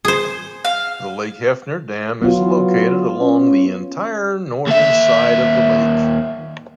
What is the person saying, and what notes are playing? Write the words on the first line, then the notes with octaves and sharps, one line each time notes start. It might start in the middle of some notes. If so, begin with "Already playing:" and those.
The Lake Hefner Dam is located along the entire northern side of the lake.
G#4 C5
F5
F#3 B3 F4
C#4
D#2 E5